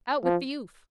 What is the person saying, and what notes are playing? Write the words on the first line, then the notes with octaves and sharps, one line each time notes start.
Out with the oof.
F3